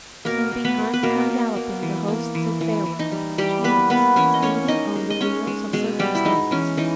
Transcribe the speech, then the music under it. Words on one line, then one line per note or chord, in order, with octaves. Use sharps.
And behind come galloping the hosts of Pharaoh; chance, speeding on the wheels of circumstance.
B2 A#3 A#4
A#3
B3 B4
A#3
B4
B2 A#3 A#4
B2
A#3
E3
A#3
E3
E3
E3
D#4
G3
E3 G3 G4
A#3 B3 B4
A#3 B3 B4
E3 C#4 C#5
D#5
A#3 C#4 C#5
A#3 D#4 D#5
G#3
D#5
G#3 C#4 C#5
G#3
B2 G#3 G#4
G3 B3 G4
E4
G#3 D#4
E3 C#4
E3 D#4